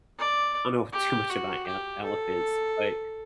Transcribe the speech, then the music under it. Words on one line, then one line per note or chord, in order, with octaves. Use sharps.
I don't know too much about el elephants, but
D5
G4
F#4
G4
A4